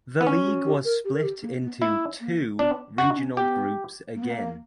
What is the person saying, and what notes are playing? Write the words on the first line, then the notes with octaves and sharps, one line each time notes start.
The league was split into two regional groups again.
B3
C#4
F#4
G4
A#4
G4
A#4
G4
A#3
B3
A#3 E4
A#3
B3 D4
C#4 F#4
D4
C#4
B3 G4
A#3
B3
A#3